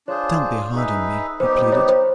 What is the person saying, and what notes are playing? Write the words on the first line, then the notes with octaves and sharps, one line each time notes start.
"Don't be hard on me," he pleaded.
D4 F4 G#4 C5 C#5
D#4 G#4 B4 E5
G3 B3 D#4 G4 C5
C5
C#5
C5